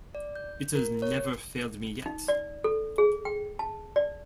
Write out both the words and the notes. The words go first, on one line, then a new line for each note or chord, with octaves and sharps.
It has never failed me yet.
D5
G6
A#4
C#5
D#4
D5
A4
G#4
G5
A5
D5